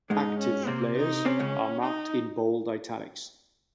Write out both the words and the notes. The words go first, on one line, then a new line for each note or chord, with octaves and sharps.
Active players are marked in bold italics.
G#2 G#3 D#4
C#4
C3 A#3 C4
D#4
C3 C4 C#4
C#2 C#3
D#4